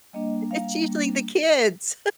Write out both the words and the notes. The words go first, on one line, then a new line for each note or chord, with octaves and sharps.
It's usually the kids.
G3 A#3 D4 D#5
G3 A#3 D4 F5
G3 A#3 D4